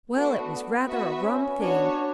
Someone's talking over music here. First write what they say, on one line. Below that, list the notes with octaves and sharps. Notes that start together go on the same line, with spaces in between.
'Well, it was rather a rum thing.
A3 B3 D4 F#4
F#4 B4 E5
C#4
B3 D4 F#4 C#5